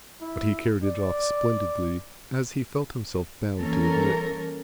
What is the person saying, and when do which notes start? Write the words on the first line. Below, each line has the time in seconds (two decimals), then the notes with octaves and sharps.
But he carried it off splendidly, as he felt himself bound to admit.
0.21 E4
0.84 D5
3.60 E3 G3 A#3 C#4 A4 A#4